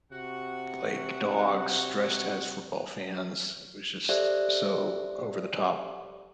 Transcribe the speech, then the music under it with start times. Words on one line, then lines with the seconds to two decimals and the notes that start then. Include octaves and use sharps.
like, dogs dressed as football fans, it was just so over the top.
0.12 C3 F#4 F#5
4.09 G4 A4 C5 D5 E5 F#6